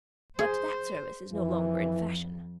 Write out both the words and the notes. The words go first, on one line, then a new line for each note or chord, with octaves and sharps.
But that service is no longer in fashion.
G#4 C5
F2 E3